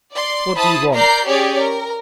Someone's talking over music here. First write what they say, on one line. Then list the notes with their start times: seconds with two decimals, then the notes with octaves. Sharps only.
What do you want?
0.12 D5 C6
0.55 E4 C5 A5 B5 D#6
0.93 A#4 D5 A#5 G6 C7
1.26 C#4 G4 G#4 C#5 D5
1.59 A#4